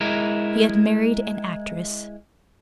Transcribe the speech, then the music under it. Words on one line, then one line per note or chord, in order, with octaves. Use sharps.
He had married an actress!
G#3 E4 A#4